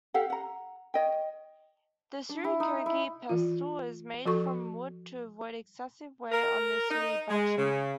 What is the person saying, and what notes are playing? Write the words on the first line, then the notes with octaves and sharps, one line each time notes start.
The "surikogi" pestle is made from wood to avoid excessive wear on the "suribachi".
G4 A4 F5 F#5
F#5 A#5
C#5 D#5 G5
D4
E4
D#4
E4
E3 F4
F3 F#4 A4 C#6
A#4
D#4
G#3
C#3